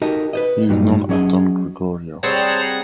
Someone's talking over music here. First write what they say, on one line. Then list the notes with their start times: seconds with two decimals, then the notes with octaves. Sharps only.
He is known as "Don Gregorio".
0.02 D#4 F#4 G4 A4 A#4 D#5
0.33 B4 C5 D#5
0.69 G2 A#2 F#3 G3 D4 D#4
1.09 F#3 C#4 G#4 C#5 D#5
2.23 G3 C4 G#4 C5 C#5 F#5 A5 A#5